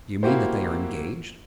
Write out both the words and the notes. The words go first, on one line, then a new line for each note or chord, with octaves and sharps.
"Do you mean that they are engaged?"
A#3 E4 F#4 G4 C5